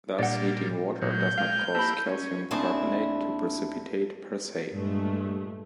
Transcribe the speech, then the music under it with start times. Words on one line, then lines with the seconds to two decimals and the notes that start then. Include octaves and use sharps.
Thus, heating water does not cause calcium carbonate to precipitate per se.
0.19 A#2 G3 D4 D5 F#5
1.02 A#2 F#3 G6
1.38 G#3 F5 G5 F6
1.75 A#3 E4 G4 A5 B5
2.06 C#4
2.51 D#2 A3 C4 D4 E4 G#4
4.73 G2 A#2 G#3 A3